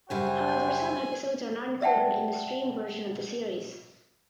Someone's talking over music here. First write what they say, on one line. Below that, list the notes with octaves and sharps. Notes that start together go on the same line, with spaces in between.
However some episodes are not included in the streamed version of the series.
F#2 C#3 G3 E4 F#4 C5 G5 G#5
D5 E5 F#5 G5 A5